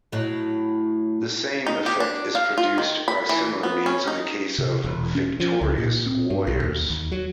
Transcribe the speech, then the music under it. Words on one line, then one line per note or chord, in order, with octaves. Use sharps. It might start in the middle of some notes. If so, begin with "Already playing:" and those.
The same effect is produced by similar means in the case of victorious warriors.
A2 F#3
D#4
G4
D4
F5
F4
D#3
B5
E3
B3
C#4
D#4
C3
E1
C#4
F3
C#2
A#2
C4
G2
B1
D#2
D#2
F#3